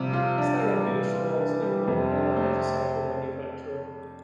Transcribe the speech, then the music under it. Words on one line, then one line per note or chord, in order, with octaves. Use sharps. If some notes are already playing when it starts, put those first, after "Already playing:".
Steyr Puch was an important light motorcycle manufacturer.
Already playing: C3 F3 G3
F4
F3 D4
G3
E3
C3
F4
D4
G3
F2 C3
D4
A3